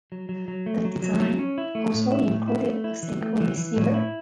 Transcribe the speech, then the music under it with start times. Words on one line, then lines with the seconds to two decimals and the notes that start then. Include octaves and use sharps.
The design also included a single receiver.
0.12 F#3
0.29 F#3
0.48 F#3
0.66 A3
0.85 F#3
1.03 F#3
1.20 F#3
1.39 C#4
1.58 E4
1.75 A3
1.94 A2
2.12 E4
2.30 A2
2.48 E4
2.66 A3
2.84 E4
3.03 E3
3.21 A3
3.40 E3
3.57 E3
3.76 A2
3.94 E4